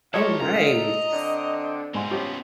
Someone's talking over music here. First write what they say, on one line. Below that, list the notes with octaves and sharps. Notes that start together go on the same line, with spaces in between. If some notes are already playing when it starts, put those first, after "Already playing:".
Oh, nice.
A#2 G3 G#3 A#4 C#5 D#5 A5
A#2 C#4 F4 A4 A#4 A#5
D#5 F5
D3 C4 D4
G#2 B2 C4 G#5 C6
F3 B3 C#4 G4